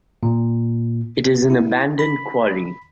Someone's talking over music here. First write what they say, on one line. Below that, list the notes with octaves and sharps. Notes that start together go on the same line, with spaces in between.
It is an abandoned Quarry.
A#2
E4
B5